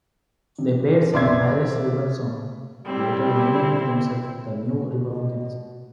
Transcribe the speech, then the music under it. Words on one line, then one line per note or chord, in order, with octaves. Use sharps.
They played some Irish rebel songs, later renaming themselves the New Republicans.
C3
B1 B4 D5 E5 C6 G#6
C5
G3 C4 E4
B2